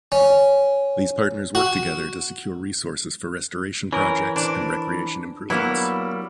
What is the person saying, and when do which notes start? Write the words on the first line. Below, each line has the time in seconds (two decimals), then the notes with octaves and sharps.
These partners work together to secure resources for restoration projects and recreation improvements.
0.12 C#4
1.55 F#4
3.93 E3 C#4 A#4
4.36 D4 C5
5.50 F#3 G3 A#3 B3 E4 B4